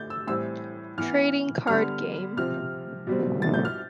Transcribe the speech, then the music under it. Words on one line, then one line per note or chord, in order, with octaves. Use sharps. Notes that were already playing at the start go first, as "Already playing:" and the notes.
Trading Card Game.
Already playing: D3 A3 G6 A6
E6
A2 E3 G3 C4 E6
E3 B3 F6
D3 G3 B3 F6
C3 F3 C4 F6
B2 G3 C4
A6
G6
F6